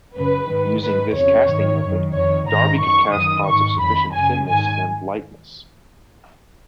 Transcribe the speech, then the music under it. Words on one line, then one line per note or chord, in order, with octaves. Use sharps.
Using this casting method Darby could cast pots of sufficient thinness and lightness.
F#2 C#3 B4
G#2 D#3
G#2 D#3 B4
F2 C#3 C#5
G#2 D#3
F#2 D#3
F2 D#3 C#5
G#2 D#3 A#5
F#2 D#3 C#6
F#2 D#6
D#3
G#2 D#3 C#6
F2 D#3 B5
F#2 C#3 G#5
G#2 D#3 G#5